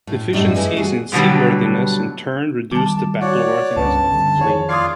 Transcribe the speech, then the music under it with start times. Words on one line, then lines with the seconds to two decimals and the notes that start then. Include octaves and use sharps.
Deficiencies in seaworthiness in turn reduced the battle-worthiness of the fleet.
0.07 A2
0.33 F#2 A2 G3 D#4
0.55 E3 G#3 A3 E4
0.75 G3 F#4 G#4
1.12 G2 B2 D3 F#3 G3
2.71 D#3 G3 A3 A5 D6
3.21 F#4 C#5 D5 F#5
3.76 C#2 G2 B3 C#4 A5
4.12 G2 D3
4.37 F2 D#3 E3 G#4 C#5
4.69 F4 D5 F5 D#6 G#6 C7